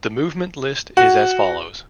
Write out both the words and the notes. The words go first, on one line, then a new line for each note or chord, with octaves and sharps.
The movement list is as follows.
F#4